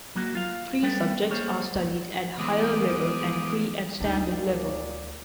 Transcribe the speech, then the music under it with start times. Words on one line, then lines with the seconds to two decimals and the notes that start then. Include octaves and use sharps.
Three subjects are studied at Higher Level and three at Standard Level.
0.16 F#3 A#3 F#4
0.35 F4 F5
0.82 G3 B3 A4 B4 G5
1.30 G3 A#3 C5 C#5
2.38 E2 G#3 D6 D#6
4.00 D2 A#2 D4 D#4 D5